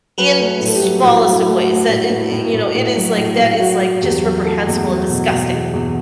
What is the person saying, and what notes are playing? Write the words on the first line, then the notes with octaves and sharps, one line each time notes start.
in the smallest of ways that it, uh, you know, it is, like, that is, like, just reprehensible and disgusting,
F#3 B4
A3
B4
A2
A4
G4
F#3
A2 F#4
F#3
E4
A3
F#4
A3
A2
A2
A2
A2
A2
F#3
A2
A2
F#3 F#4
F#3
E2 G4
F#3
A3 A4
E2
F#3
B2
B2
E2
E2